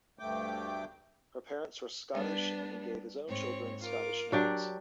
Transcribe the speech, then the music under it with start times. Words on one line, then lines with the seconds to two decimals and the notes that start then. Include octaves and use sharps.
His parents were Scottish, and he gave his own children Scottish names.
0.19 D2 G2 A3 G5 D6
2.14 G3 B3 D4
3.28 G#2 C4 C#5
3.81 F4 A#4 D6
4.32 F#3 D4 G4